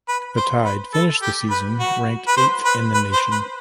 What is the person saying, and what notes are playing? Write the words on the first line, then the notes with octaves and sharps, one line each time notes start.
The Tide finished the season ranked eighth in the nation.
B4
C5
B4
A4
G4
B4
F#4
B4
C5
B4
B4
C5
B4